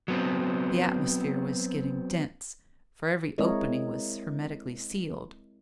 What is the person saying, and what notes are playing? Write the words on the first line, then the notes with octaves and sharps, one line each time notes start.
The atmosphere was getting dense, for every opening was hermetically sealed.
F#3 B3 C4
G#3 C4 E4 A#4 C#5 D#5